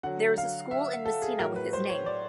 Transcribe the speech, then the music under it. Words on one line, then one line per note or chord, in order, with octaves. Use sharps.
There is a school in Messina with his name.
D3 F#3 F#5
F5
E5
A4
G#4
A2 F#3 A#4
B4
C5
C#5
D5